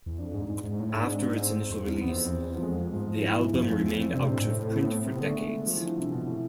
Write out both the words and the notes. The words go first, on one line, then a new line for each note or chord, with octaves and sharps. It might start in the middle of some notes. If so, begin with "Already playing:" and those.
After its initial release, the album remained out of print for decades.
E2
F2 D4
G#2
G#2
G#2
A2
G#2
D4
C4
C4
F2
E2
E2 B3
C4
F2 B3
E2
F3
F2 G#3
G#2 F3
G#2
E3
E3
F2 F3
G#2
F2 C4
E2
F2 C4
C3 D4
A2 C4
G#2
A2
B3
C3 B3
D3 B3
A3
G#3
F3
E3
D3
C3
B2
A2